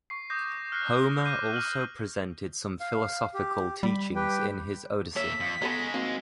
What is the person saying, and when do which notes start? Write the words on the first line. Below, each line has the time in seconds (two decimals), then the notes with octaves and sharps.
Homer also presented some philosophical teachings in his "Odyssey".
0.10 C#6 C7
0.30 D6 D#6 G6 A#6
0.72 F6 F#6 A#6 C7
1.04 A#6
1.26 D6 G6 C7 D#7
1.54 F6 F#7
2.81 F5
3.34 G4
3.83 G3 B5
4.16 G4 B4 G5
5.16 A#3 C#5 E5 B6
5.40 F2
5.62 G#3 B3 C#4 A4 D#5 A#5
5.94 D#3 A#3 C4 F#4